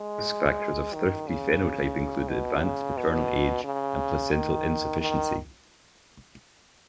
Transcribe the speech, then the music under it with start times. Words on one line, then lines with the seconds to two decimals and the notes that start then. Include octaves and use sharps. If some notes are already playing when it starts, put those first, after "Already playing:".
Risk factors of thrifty phenotype include advanced maternal age and placental insufficiency.
Already playing: G#3
0.94 D#3
1.28 C#3
2.29 B2
2.63 C#3
2.97 B2
3.64 C#3
4.32 D#3
5.00 D#3